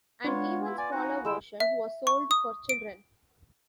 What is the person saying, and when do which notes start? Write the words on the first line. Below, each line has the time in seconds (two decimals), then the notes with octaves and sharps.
An even smaller version was sold for children.
0.25 G#3 B3 D4 F4 C#5
0.66 E4
0.78 D5 G#5
0.92 D#4 F#4
1.25 D3 G#3 E4 G5 E6
1.60 E5
2.07 C#6
2.31 D#6
2.69 D7